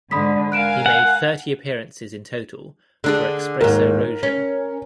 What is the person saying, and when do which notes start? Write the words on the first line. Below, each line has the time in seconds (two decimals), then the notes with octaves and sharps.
He made thirty appearances in total for Expreso Rojo.
0.11 G#2 D3 B5 D#6 B6
0.52 A#4 F5 G#5 F#6 D7 E7
0.86 F#5
3.04 D3 D4 G#4
3.61 D#2 G#2 A#4
4.23 C#4